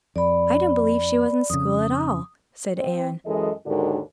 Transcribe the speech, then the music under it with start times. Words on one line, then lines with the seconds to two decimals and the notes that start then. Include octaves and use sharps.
"I don't believe she was in school at all," said Anne.
0.16 F2 D5 B5
1.50 F2 C#3 D#6
2.77 C4
3.26 F#2 E3 G#3 A4 D#5
3.66 D#2 G#2 D3 D4 F#4 A#4